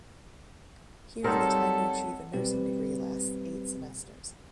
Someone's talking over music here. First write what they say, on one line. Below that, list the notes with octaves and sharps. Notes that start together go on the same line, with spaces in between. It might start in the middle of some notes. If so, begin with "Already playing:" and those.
Here the time to achieve a nursing degree lasts eight semesters.
G3 C4 D#4 A4 A#4 C#5 F#5
B2 G3 C4 G4 B4